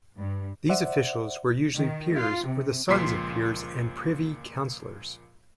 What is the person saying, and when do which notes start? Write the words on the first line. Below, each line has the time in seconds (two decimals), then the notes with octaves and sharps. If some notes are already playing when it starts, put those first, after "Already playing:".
These officials were usually peers or the sons of peers and Privy Councillors.
0.16 G2
0.69 C5 D5 E5 F#5
1.76 D#3
2.13 F4
2.45 C3
2.88 C#2 A#2 F3 C6 B6 C7